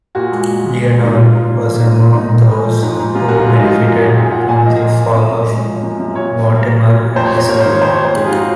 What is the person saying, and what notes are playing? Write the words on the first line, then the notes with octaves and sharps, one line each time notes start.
Eleanor was among those who benefited from the fall of Mortimer and Isabella.
A#2 F#4
G#3
A#2
G#3
A#2
G#3
D#4
G#2 F4
G#2
A#3
F3
G#2
G#2
G#2 D#4
G#2
G#3
F3
G#2
G#2
F#2 F4
F#2 F#4
F4
G#3
D#4
F3 F4
F#2
F#2 F#4
A#2 G#4
A#2 F#5
A#3 G#5
F3 D#5
A#2
A#2
F#2
F#2
G#3
F3
F#2
F#2
A#2 C#5
A#2
A#3
F#3
A#2
A#2
F2 C5
C#5
F2
C5
A#3 C#5
D#3 C5
C#5
F2 C5
C#5
F2
C5
G#2 G#4
F4
F#4